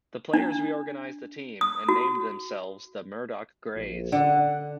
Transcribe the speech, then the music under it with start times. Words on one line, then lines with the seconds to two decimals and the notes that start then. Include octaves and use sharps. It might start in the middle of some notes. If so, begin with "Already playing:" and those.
The players reorganized the team and named themselves the Murdock Grays.
0.34 D4
1.61 D#6
1.89 F#4
3.75 A#1
4.12 D3 F#5